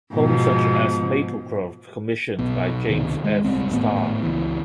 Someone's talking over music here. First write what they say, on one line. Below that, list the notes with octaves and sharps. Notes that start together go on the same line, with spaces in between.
Homes such as "Maplecroft", commissioned by James F. Starr.
G#2 B2 F3
B1 B2
C#2 C3 D#3
G#3
D1 C2 C4
G#1 A2 B3
C#2 E3